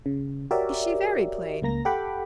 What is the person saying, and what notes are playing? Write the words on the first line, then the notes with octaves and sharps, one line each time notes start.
"Is she very plain?"
C#3
F#4 G4 A#4 C#5 D5 E5
C#2 A#3 A#5 A#6
G4 A4 F#5 G5 B5 D6